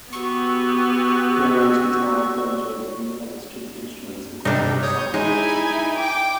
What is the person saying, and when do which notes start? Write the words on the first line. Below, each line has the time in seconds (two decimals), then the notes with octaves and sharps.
Pianos, guitars, banjos, and many other stringed instruments incorporate soundboards.
0.13 B3 F#4 G4 C#6 E6
4.45 G2 C3 G3 D4 D#4
4.83 C#5 D#6 G6
5.14 G#3 D#4 E4 G#5
5.96 G5 D6